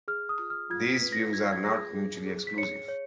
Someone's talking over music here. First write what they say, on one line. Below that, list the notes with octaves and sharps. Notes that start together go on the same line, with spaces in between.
These views are not mutually exclusive.
G#4 F6
D#6
F4
F6
F4 G#6
B6
B4
A#6
F4 G#6
G#6
G#4 A#6
G#4
G#4
B6
C#5 C#7
C#5